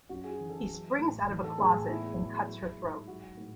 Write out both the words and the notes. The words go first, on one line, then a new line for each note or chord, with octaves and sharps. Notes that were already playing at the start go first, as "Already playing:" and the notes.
He springs out of a closet and cuts her throat.
F#2 F#4
G#4
F#4
E3
A4
F#3
A2
E3
A4
A2 G#4
E2 E4
F#3
F#3
G#2
F#3 F#4
A2